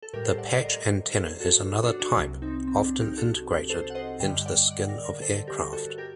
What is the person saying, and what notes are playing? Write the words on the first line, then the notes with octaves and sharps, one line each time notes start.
The patch antenna is another type, often integrated into the skin of aircraft.
A4
A2 G3 G4 A#4
A4 C5
D5 F#5
C5 D#5
A#4 D5
A4 C5
F#4 A4
D4 F#4
D4 F#4
C2 C3 F#3
C4 D#4
C4
D4
D#4 G4
F#4 A4
A4 C5
F#5
C5 D#5
G2 D3 G3 D#5 G5
G5
D5 F#5
D5 F#5
A#4 D5
A#4 D5
A4 C5
G4 A#4
F#4 A4
G4 A#4